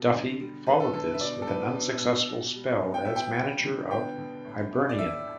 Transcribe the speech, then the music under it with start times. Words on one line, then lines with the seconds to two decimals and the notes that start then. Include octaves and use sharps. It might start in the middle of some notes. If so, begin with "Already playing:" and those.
Duffy followed this with an unsuccessful spell as manager of Hibernian.
Already playing: B2
0.13 D3
0.40 G3
0.67 D3 B4
0.80 A4
0.93 D3 A4
1.07 B4
1.14 E5
1.21 B2 D5
1.42 A4
1.47 A3 B4
1.75 B2
2.02 B2
2.29 B2
2.56 G3
2.83 B3
2.94 G5
3.05 B2 E5
3.16 G5
3.37 G3
3.64 D3
3.91 B3 G5
4.18 D3
4.45 A2
4.71 A3
4.89 D5
4.98 A3 E5